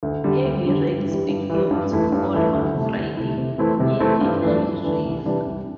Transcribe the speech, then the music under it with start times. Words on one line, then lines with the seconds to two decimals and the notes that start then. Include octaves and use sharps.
Heavy rains began to fall on Friday near the Nile River.
0.03 D2
0.24 D3 G3
0.45 D2
0.66 D3 G3
0.87 G2
1.08 E3 G3
1.29 G2
1.50 E3 G3
1.71 G2
1.91 E3 A3 E4
2.12 G2
2.33 E3 A3 E4
2.54 D2
2.75 C3 A3 E4
2.96 D2
3.17 C3 A3 E4
3.38 C3
3.58 E3 A3 C4 E4
3.80 C3
4.00 E3 A3 C4 E4
4.21 G2
4.42 E3 A3 D4
4.63 G2
4.84 E3 A3 D4
5.05 C2
5.26 C3 E3 G3 D4
5.46 C2